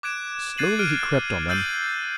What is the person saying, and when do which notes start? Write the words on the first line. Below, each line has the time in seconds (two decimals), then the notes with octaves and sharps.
Slowly he crept on them.
0.03 D6 F#6 G#6 D7 E7
0.58 F#6 G#6 A6 C7 D#7 F#7
0.79 F6 F#6 D7 D#7
1.49 E6 G6 A6 C7 D#7 F#7